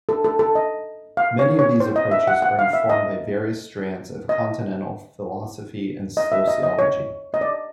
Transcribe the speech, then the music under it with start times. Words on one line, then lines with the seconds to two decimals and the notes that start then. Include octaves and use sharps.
Many of these approaches are informed by various strands of Continental philosophy and sociology.
0.09 A4
0.24 A4
0.39 A4
0.55 D#5
1.17 F5
1.39 C#5
1.59 C#5
1.80 C5
1.96 D#5
2.11 E5
2.27 F#5
2.42 F#5
2.59 F5
2.73 E5
2.89 D#5
4.29 D#5
6.17 D#5
6.32 E5
6.48 D#5
6.63 D#5
6.79 C#5
7.34 D#5
7.41 D5